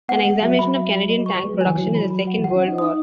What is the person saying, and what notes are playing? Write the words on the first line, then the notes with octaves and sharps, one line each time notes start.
An examination of Canadian tank production in the Second World War.
B3 F#5
G#3 F#5
F#3 E5
F#3 B5
E5
B5
D#5
C#6
G#3 B4
F#3
E3 G#5
F#3 C#5
E3
F#3 B5
B5
F#5
E3
F#3 F#5
C#4
F#5
D#4
D#6